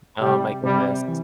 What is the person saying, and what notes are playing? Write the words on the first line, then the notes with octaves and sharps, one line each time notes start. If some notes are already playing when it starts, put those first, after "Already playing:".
Oh my goodness.
C3 G3
C3 G3
E3